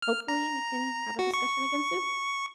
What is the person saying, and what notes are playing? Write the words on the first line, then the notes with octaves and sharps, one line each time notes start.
hopefully we can have a discussion again soon.
F6
A#5
F#4
C#6